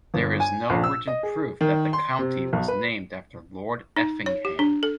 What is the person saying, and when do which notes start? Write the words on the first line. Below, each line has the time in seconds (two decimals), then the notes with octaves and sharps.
There is no written proof that the county was named after Lord Effingham.
0.14 G1
0.40 G#5
0.70 A#1
0.84 E6
1.07 D#5
1.23 G#4
1.61 D#3
1.93 C6
2.19 C3
2.53 B1
2.68 B4
3.97 D#4
4.26 C#5
4.45 G4
4.59 D4
4.83 A4